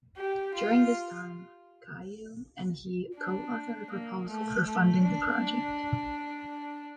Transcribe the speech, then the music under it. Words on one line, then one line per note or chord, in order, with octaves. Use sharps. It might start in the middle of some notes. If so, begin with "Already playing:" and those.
During this time, Cailliau and he co-authored a proposal for funding for the project.
G4
F4
D4
A#3
A3
A3
D4